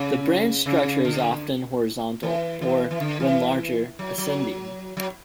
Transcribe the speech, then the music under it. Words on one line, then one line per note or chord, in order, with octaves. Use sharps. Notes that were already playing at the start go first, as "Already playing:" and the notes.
The branch structure is often horizontal or, when larger, ascending.
Already playing: C#3
C#3
D3
E3
E3
E3
D3
E3
F#3
F#3
F#3